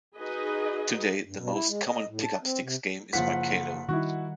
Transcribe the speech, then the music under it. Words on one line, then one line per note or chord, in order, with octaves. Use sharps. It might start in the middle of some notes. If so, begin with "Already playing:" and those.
Today, the most common pick-up sticks game is Mikado.
D#4 F#4 G#4 B4 D#5
G2
B2
E4
G#3
D#5
A2
A5
C4
C3
F#1 F3 F#5 B6
D#3 G3 D#4 E4 F#4